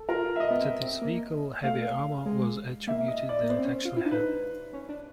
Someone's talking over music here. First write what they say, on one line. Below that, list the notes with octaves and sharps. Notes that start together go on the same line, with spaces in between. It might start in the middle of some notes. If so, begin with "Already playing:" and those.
To this vehicle heavier armor was attributed than it actually had.
Already playing: A4
F4 A#4
F4
E5
F4 D#5
B3
C4
C4
A#3
A3 F5
G#3
A#3 E5
D#5
D5
A#3
B3 C5
C4
C#4
F4
E4
D4
D#4 B4
C#4
D4